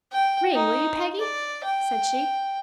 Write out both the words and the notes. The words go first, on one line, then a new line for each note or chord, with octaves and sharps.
"Ring, will you, Peggy?" said she.
G5
D#4
D5
G5